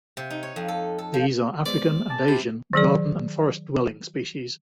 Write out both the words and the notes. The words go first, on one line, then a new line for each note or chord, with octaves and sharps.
These are African and Asian garden and forest dwelling species.
C3
D#4
C#5
F2
A4
A4
F3
G#3 B3 C5 D5
G#5 A5 D6
C3 G4 B5 G6
D#3 F#3 G#4 D5